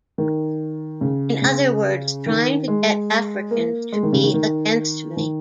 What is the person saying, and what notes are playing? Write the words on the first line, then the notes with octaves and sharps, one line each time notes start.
In other words, trying to get Africans to be against me.
D#3
C#3
C#3
D#3
G#3
A#3
G#3
D#3
C#3
D#3
D#3
D#3